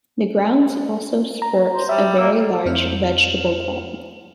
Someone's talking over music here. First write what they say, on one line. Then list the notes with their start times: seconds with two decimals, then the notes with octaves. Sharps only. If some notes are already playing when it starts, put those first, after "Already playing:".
The grounds also sports a very large vegetable garden.
1.42 A#5
1.74 C5
1.89 G3 E5
2.19 A#3 E6
2.65 F2 F3 C4 E4 F6 C#7